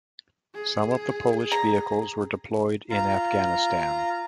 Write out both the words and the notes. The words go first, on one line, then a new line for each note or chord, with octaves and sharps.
Some of the Polish vehicles were deployed in Afghanistan.
G#4
A#5
F4 A#5